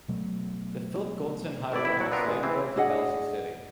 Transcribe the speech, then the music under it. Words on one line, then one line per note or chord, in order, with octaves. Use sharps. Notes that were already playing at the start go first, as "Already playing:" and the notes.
The Philip Goldson Highway connects Ladyville to Belize City.
B2 F#3 A3
G#1 A3 E4 D5
A1 E4
C2 F#3 F#5
B3 C4 D4 F4 A#4
A1 G#3
E3 C4
D4 G#4 D#5 F#5